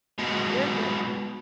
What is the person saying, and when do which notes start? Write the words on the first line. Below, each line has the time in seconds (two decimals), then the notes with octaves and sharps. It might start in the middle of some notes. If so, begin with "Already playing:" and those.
They're the
0.19 G#2 B2